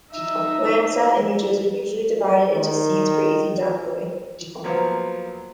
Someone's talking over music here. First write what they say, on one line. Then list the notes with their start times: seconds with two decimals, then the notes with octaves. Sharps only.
Landsat images are usually divided into scenes for easy downloading.
0.11 D#4 E5
2.55 D#3
4.64 F3 F#3 A#3 B3